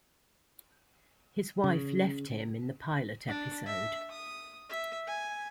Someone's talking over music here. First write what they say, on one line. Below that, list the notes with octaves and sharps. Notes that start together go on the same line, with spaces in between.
His wife left him in the pilot episode.
C#3
D4
E5
D#6
E5
G#5